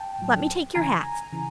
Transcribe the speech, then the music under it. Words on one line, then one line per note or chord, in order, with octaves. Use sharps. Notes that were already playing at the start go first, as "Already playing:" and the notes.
Let me take your hats.
Already playing: G5 A5
A2 F#3
C#3 E3 G#5 A#5
C#3 E3